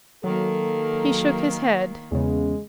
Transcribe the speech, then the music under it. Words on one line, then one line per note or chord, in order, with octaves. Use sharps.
He shook his head.
D#3 F#3 A#3 A4
E2 C#3 G#3